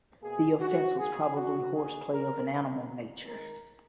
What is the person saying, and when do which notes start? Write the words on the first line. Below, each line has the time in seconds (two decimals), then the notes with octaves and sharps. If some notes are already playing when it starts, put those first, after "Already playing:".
The offense was probably horseplay of an animal nature.
0.22 B2 A#3 G#4
0.61 F#4
0.99 D#3 A#3 G#4
1.37 F#4
1.75 D#3 A#3 G#4
2.14 A#4
2.51 D#3 A#3 A#4
3.27 D#3 G#3 A#4